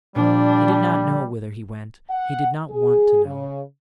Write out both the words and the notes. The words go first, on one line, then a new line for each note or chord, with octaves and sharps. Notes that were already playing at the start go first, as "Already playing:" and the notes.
He did not know whither he went; he did not want to know.
A#2 F3 G3 D4
F#5
G#4
C#3